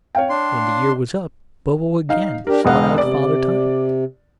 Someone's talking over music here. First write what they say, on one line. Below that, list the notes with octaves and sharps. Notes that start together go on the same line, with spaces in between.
When the year was up, Bobo again sought out Father Time.
C#5 F5 G5
D4 C6
D#4 F5
D4 G4 A#4
E1 G#3 D#5 F5 F#5
C3 D5